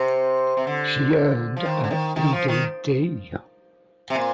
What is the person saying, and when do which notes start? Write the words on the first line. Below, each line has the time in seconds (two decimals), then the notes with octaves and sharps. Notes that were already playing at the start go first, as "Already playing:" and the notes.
She earned a Ed.D.
Already playing: C3
0.57 C3
0.67 D3
1.57 F3
1.65 D#3
1.84 D3
1.91 D#3
2.16 D#3
2.33 F3
2.48 D#3
4.10 C3
4.15 A#2